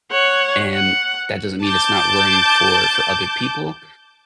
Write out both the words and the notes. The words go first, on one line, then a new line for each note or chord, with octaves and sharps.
And that doesn't mean it's not worrying for for other people,
C#5 F#5
F#5
A5 D6 G6